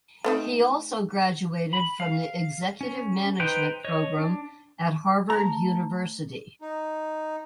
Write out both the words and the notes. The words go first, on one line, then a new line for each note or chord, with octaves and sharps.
He also graduated from the Executive Management Program at Harvard University.
A3 C4 D#4
B5
F5
C#4
D#4 B4 C5 G5 C6
C#5 D#5
D4
A3 A5 A#5
D#4